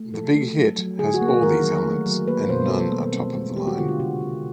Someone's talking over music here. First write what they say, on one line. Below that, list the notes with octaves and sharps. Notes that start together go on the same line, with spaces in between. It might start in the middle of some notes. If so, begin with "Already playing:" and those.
'The Big Hit' has all these elements, and none are top of the line.
Already playing: A3
F3 A4
A3
F#3
F#3
D3 G#4
F#4
A#3
G#4
D#3 A#4
F#3
A3
F#3
A#3 B4
B2 C5
G3 A4
A#3
C4
G#3
G#3 G4
F#4
D3 F4
F4
C3 F#4
C3